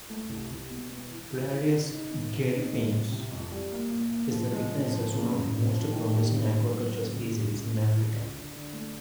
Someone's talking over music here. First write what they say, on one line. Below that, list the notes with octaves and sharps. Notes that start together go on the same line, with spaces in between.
"Clarias gariepinus" is recognized as one of the most promising aquaculture species in Africa.
A3
C2
C2
B2
B2
E3
C#3
E3
C#3
D#4
B2
B2
D#4
G#3
C3
C3
F2
G3
A#3
A#2
A#3
F3
G#3
F3
F3
C#3
F#2
F#2
F3
D#3
G2
D#3
C4
F#3
C#3
C#2
C#2
C#3
E3
E3
C#2
D3
D3
A3